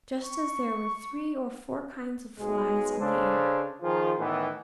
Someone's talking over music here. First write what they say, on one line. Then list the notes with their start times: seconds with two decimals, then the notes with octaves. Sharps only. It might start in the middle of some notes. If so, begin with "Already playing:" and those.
Just as there were three or four kinds of flies in the air.
0.24 C#6
2.39 B1 G#3
2.99 C#3 D4 A4 C5
3.83 D#3 F3 F4 G#4
4.18 A2 D#3 E3 B3